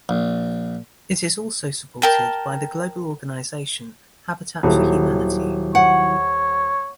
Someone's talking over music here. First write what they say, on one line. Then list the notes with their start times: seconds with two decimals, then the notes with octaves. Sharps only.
It is also supported by the global organization Habitat For Humanity.
0.09 A#1
2.02 A#4 G5 A5
4.63 D#1 D#3 F#3 E4
5.75 C#5 F#5